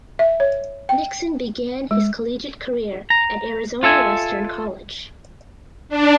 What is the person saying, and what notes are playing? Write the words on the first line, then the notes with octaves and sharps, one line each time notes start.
Nixon began his collegiate career at Arizona Western College.
E5
C#5
G5
G#3
A#5
F4 A4 E5 G#5
D4